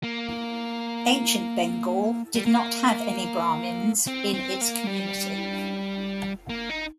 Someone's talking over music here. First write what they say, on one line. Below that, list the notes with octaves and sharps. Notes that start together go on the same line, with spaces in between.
Ancient Bengal did not have any Brahmins in its community.
A#3
G3
A#3
C4
C4
A#3
G3
A#3
D#4